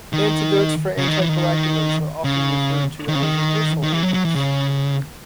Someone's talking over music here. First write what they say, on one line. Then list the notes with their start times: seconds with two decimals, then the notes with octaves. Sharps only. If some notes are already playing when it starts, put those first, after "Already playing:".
Antidotes for anticoagulants are often referred to as reversal agents.
0.13 D#3
0.98 C#3
1.08 D#3
1.19 E3
1.29 D#3
2.24 C#3
3.08 D#3
3.15 C#3
3.22 D#3
3.83 D#3
3.92 E3
4.03 F#3
4.14 F#3
4.25 E3
4.35 C#3